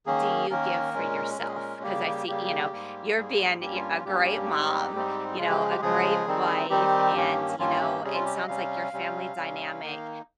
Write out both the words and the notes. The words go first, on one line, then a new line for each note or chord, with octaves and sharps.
do you give for yourself? 'Cause I see you know, you're being yeah, a great mom, you know, a great wife, and, you know, it sounds like your family dynamic,
D#3 A#3 C#4 G#4
D#3 A#3 C#4 A#4
A#2 G#3 C#4
A#2 G#3 C#4 A#4
G#4
A#4
C#3 G3 A#3 G4
C#3 G3 A#3 G4
G#2 G3 A#3
G#2 G3 A#3 G#4
G2 G3 A#3 C#4 G4
F4
G4
F4
G2 G3 A#3 C#4 G4
G#2 G3 C4 D#4
G#2 G3 C4 D#4
C#3 F3 G#3 F4
G4
G#4
G4
C#3 F3 G#3 G#4
D#3 G3 C4 D#4
D#3 G3 C4 D#4 G4
G2 D#3 A#3 C#4
G2 D#3 A#3 C#4 F4
G4
C3 G3 C#4 G#4
F4
G4
D#5
C3 G3 C#4 F5
C3 G3 C#4
C3 G3 C#4
D#3 A#3 D#4